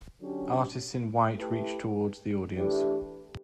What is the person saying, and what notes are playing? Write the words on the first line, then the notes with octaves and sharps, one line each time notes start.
Artists in white reach towards the audience.
D3 F#3 C#4 G4
A3 E4 G4 B4
E3 A3 D4 G4